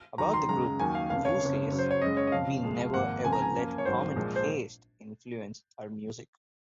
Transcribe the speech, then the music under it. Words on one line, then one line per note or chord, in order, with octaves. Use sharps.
About the group, Wu says, We never, ever let 'common taste' influence our music.
D#2 D#3 F#3 A#5
C6
F#2 C#3 G#3 A#5
D#2 D#3 F#3 A#3 G#5
F5
F1 F2 C#3 F5
C#5
F#1 F2 C#3
F#2 C#3 F#3
C5
C#5
F#2 C#3 G#3 D#5
C#5
D#5
F2 C#3 F3 F5
F2 C3 F3 G#3
G#1 G#2 F3 A#3 F#5
C#2 C3 F3 G#5
A#5
G#5
F#2 F3 A#3
C#5
G#1 G#2 D#3 F#3 A#3 C5
A#1 A#2 F3 G#3
C5